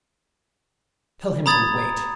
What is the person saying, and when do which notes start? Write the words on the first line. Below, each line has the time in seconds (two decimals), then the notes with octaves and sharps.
Tell him to wait.
1.46 A#5 B5 D#6 G#6 A6